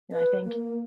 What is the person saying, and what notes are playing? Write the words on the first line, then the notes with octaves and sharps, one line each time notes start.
know, I think
B4
A#3